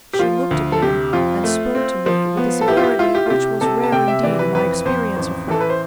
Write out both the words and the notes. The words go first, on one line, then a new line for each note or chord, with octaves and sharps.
She looked at me, and spoke to me with a severity which was rare indeed in my experience of her.
G4
F3 F4
D2
A4
C3 G4
F2 F4
A3
C4
F3
B3
A4
E4 G4
F4
G4
E4 F4
G4
F4
C3 G4
C3 A4
A5
C3 G5
E5
E3 D5
B4
F2 B4
F2 C5
A1
E3 A4
B4
C5